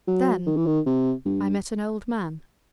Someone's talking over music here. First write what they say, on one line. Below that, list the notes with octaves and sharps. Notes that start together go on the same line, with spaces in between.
Then I met an old man.
F#3
D#3
E3
D#3
C3
G2